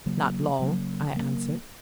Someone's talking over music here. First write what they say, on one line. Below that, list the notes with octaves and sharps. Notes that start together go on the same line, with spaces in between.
"Not long," I answered.
C#3 F#3 A#3
C#3 F#3 A#3
C#3 F#3 A#3